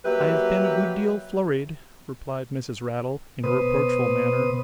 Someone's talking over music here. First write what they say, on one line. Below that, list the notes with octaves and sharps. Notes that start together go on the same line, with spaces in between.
'I have been a good deal flurried,' replied Mrs. Raddle, in a reproachful manner.
F#3 A#3 G4 B4 E5
B2 B4 C5 D#6